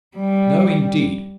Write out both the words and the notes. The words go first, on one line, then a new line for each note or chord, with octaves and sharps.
No, indeed.
G3